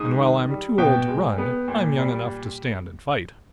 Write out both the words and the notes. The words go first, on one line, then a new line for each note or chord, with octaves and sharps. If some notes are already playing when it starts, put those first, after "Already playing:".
And while I'm too old to run, I'm young enough to stand and fight.
Already playing: G#2 D#6
D#3
G3
B2 G5
G#3
B3
A#2
G3